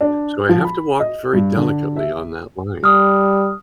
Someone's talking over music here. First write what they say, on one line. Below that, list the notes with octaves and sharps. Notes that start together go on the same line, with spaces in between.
So I have to walk very delicately on that line.
D4
F3
B5
D#5
G2
D3
E5
G3 D#6 F6